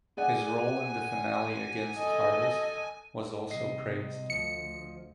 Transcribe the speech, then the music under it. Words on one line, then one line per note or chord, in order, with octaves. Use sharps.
His role in the finale against Harvest was also praised.
G#4 D5 F#5 G#5
A4 D#5
C3 G3 D#5 C7
D2 F3 C#7